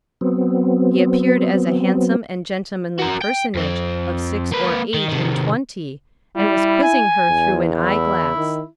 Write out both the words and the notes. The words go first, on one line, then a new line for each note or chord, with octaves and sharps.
He appeared as a handsome and gentlemanly personage of six or eight and twenty, and was quizzing her through an eye-glass.
F#3 B3 C4
F#4 A#4
G5
F2 C4
A#3 B4
D#3
C3 D#3
G3 E4
G#5
E2
E4
D#3